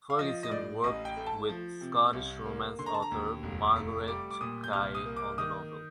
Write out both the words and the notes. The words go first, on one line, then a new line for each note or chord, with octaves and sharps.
Ferguson worked with Scottish romance author Marguerite Kaye on the novel.
F5
F3 D#5
D#5
A2 D5
A1 D#5
G5
A3
A5
F3
C3
C2
A#3
D3 C6
A#5
A5
A#5
D#2
F1
A3
G3 D6
D6
A#2 D#6
G6
C2 F6
D#6
A#3
D6
D#3 D#6